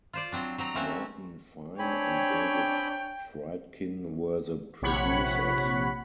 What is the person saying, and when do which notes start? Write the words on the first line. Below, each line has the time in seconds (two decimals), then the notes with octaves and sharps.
Morton Fine and David Friedkin were the producers.
0.13 F4 C5 D5
0.32 F#3 C4 D4
0.58 F#3 C4 A#5
0.75 A3 A#3 C4 C#4 F#4
1.79 C4 D4 C#5 G5 G#5 B5
4.82 A#1 C3 C#5 F#5 B5